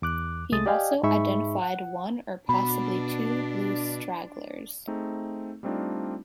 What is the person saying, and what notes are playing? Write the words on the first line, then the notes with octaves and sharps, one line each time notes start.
He also identified one or possibly two blue stragglers.
E2 D6 F#6
C2 G#3 A3 D#6 A6
G4 D5 D#5 F5 G5 G#5
G#2 D#4 G#4 E5 B5 C#6
F#5
B2 D4 B5
A3 C4 D#4 G#4
G3 A3 C4 D4 D#4 F4